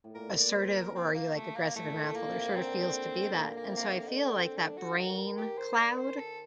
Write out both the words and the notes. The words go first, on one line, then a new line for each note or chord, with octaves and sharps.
assertive or are you, like, aggressive and wrathful? There sort of feels to be that. And so I feel like that brain cloud,
A2
A#2 A#4
D5
C5
A#4
C4
A#3
A3
A#3
A2 A3
A#2
A2
A#2 A#3
C3
A#2
D#3
D3 C4
C4
A#2 A#3
A#3
C3
A#3
D3
A#3
D#4
D4
C4
D4
F#4
D#3 F#4
G4
C5
D5
C5
A4